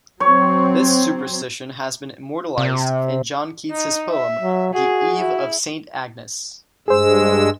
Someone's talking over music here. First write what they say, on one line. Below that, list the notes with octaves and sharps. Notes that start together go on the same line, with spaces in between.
This superstition has been immortalised in John Keats's poem, The Eve of Saint Agnes.
F#3 C4 C#5
C3
D#4
E5
F#3
F#4 G#4
E4
G2 G#3 G#4 C5 E6